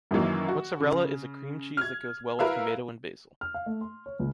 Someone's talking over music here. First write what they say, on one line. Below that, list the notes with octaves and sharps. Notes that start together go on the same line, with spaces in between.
Mozzarella is a cream cheese that goes well with tomato and basil.
F#2 D#3 E3 F#3 A#3
F#4
C#3
F6 G#6
E4 A#4 B4 E5 F5 E6
F6
F5
A3
C6
C#5
C#2